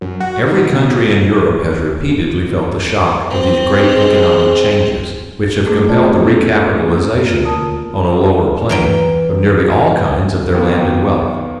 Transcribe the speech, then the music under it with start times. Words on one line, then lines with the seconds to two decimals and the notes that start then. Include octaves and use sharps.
Every country in Europe has repeatedly felt the shock of these great economic changes which have compelled the recapitalization on a lower plane, of nearly all kinds of their landed wealth.
0.01 F#2
0.20 F#4
0.46 D#3
0.72 B2
3.30 C4
3.77 G#3
5.66 A3 A#3 D4 E4 G#4
5.89 F4 C#5 D5 A5
6.24 D#2 C#4 E4 A4
6.88 A#3
7.22 A#3 F4
7.45 D3 A#4 A5 D#6
8.69 E3 A#4 G5
10.54 D#3 A#3 B3